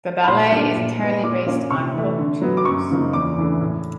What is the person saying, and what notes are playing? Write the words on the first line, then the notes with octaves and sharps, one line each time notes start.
The ballet is entirely based on folk tunes.
B5
A#2 C6
G3 A#3 D4
A#2
G3 B3
A#2 D6
F3 A#3 C#4
C3 C#6
E3 A3
D3
F#3 B3
D6
F#2 C#6
C#3 F3 A#3 D#4
E2 D6
C#3 E3 A3 D4
A2